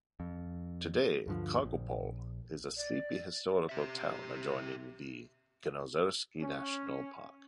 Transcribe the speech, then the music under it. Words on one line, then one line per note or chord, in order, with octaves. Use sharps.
Today, Kargopol is a sleepy historical town adjoining the Kenozersky National Park.
F2
D2 G2 D3 F3
A#1
D5
G4 E5
C#4